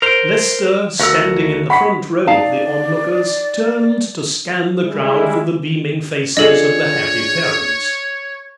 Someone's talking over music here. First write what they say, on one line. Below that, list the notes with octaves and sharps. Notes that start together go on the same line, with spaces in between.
Lester, standing in the front row of the onlookers, turned to scan the crowd for the beaming faces of the happy parents.
A#4 C5 D7 F7
D2 F#4 A#4 F5 E6
F#5 B5 C#6 B6
D#4 D5 F5 A5
G3 G#3 E4
D4 F4 G#4 A4 C#5 D#5